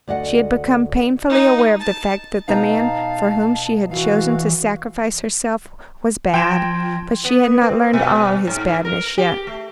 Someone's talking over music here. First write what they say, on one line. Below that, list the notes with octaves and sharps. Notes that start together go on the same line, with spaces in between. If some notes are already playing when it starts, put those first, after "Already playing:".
She had become painfully aware of the fact that the man for whom she had chosen to sacrifice herself was bad, but she had not learned all his badness yet.
D2 D5 D#5 F#5
D#4
A5
B2 D#4 F5 A5 A#5
E3 F#4 F5
F3 G5 C6 G#6 A#6 E7
B3
C4
B2
G#2
A#4
G4
A3